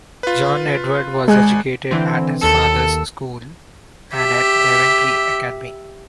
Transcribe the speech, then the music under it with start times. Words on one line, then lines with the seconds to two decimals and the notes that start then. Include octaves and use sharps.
John Edward was educated at his father's school and at Daventry Academy.
0.23 F4 B4
1.28 G#1 G#3 G#5 F#6
1.91 D3 E3 C4
2.42 D#2 A4 E6 C#7
4.15 G4 E5